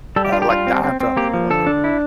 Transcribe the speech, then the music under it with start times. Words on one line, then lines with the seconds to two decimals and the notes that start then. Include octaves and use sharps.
uh like dying from it or whatever.
0.16 G3 A4
0.25 G4
0.32 D4 F4
0.42 G4
0.50 G3 F4
0.67 C4
0.84 C4
1.00 C4
1.17 A#3 G4
1.34 F3
1.50 D3 A4
1.67 D4
1.84 E4